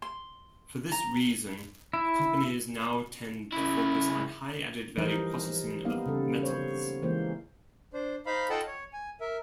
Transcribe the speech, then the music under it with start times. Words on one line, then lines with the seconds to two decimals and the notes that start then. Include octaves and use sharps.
For this reason, companies now tend to focus on high added-value processing of metals.
0.02 C6
0.92 A#5
1.93 E4
3.53 C#3 E4
4.97 E3 F3 G3 D#4 A#4 C5
5.84 G3 A#3 B3 D#4 F5
6.06 C#3 G3 A4
6.43 C5 C#5
7.02 E3 G#3 A#3 C5
7.93 D4 C5
8.26 D#4 C5 F5 B5
8.50 F4 A4 D#5 F#5 G5 A5
8.67 C#5
8.93 G#5
9.20 A#4 E5